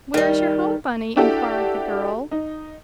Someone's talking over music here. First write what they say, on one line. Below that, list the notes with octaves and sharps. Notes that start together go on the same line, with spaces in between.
"Where is your home, bunny?" enquired the girl.
D#3 G3
D4 E4 F#4 G4 A4 D5
D#4